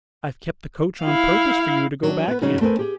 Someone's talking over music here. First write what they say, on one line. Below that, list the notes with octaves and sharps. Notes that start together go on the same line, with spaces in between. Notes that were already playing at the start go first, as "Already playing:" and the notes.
I've kept the coach on purpose for you to go back in.'
E4 F5
F#3 D4
B3 B4
C#3 F#3 C#4 D#4 G#4
A3 C4 A#4 B4 G#5
G4 G#4